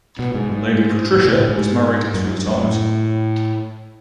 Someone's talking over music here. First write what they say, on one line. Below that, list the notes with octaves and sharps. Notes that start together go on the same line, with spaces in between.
Lady Patricia was married three times.
B2
G#2
G#2
A2
B2
A2
G#2
F#2
F#2
A2